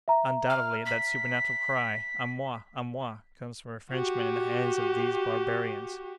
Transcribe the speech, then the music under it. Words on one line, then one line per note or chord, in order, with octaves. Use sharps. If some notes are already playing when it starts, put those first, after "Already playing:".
"Undoubtedly, that supernatural cry, 'A moi! a moi!' comes from a Frenchman in the hands of these barbarians!"
E5 A#5
F6
B6
F#4 G4